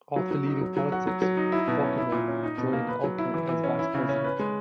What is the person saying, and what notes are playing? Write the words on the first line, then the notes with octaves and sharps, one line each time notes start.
After leaving politics, Faulkner joined Alcan as Vice President.
F#3
F#3
D#4
F#3
F#3
F#4
F#3
F#3
D#4
E4
B2
C#4
E4
A#2
C#4
D#4
B2
A#3
B4
F#3
E4
E3
E3
C#4
E4
C#3
C#4
B4
G#3